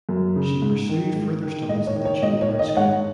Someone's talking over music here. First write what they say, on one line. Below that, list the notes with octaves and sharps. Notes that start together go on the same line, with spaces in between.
She pursued further studies at the Juilliard School.
F#2
C#3
G#2
D#3
G#2
D#3
G#2 D#5
C#5
D#3
C#5
G#2 D#5
C#5
D#3
D#5
G#2 C#5 F#5